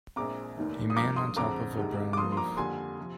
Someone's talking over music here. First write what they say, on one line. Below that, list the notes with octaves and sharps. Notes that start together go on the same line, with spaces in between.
A man on top of a brown roof.
A#1 A#2 G#3 C4 A#5 D6
F1 D#2 D#3
D#6
G2 F3 A#3 A#5 D6
C6 D#6
F2 D3 G#3 C4 A#5 D6
D2 C3 D#3 G#3
D6
G2 F3 A#3 C6 D#6
C6
A#5 D6
F2 D3 G3 A#3 G#5 C6
C3 F3